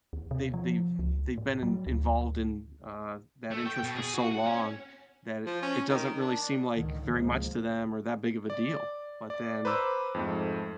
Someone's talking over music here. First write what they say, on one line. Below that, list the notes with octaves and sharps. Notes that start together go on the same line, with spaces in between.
they they've they've been in involved in, uh, that interest for so long that it doesn't really seem like, very much to them or that big of a deal. But then,
D#2
C3
F3
C#2
A2
F#3
D2
A3
G5
B2
G#4
F#4
F#5
C#4
F3
C#4
D#3
D4
C#2 A2 D3 D#3
C#2 G#2 B2 F3 G#3 A#3
D5
D5
B4 C5 A#5 D6 E6
F2 G#2 A3